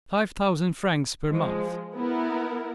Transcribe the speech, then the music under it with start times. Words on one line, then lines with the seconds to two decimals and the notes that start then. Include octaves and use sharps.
"Five thousand francs per month."
1.29 F3 G#3
1.95 B3 E4 A#4